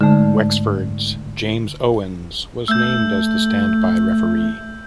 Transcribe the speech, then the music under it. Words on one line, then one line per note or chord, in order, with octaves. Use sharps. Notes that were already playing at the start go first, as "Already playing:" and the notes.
Wexford’s James Owens was named as the standby referee.
G#2 D3 A3
A3 E6 G6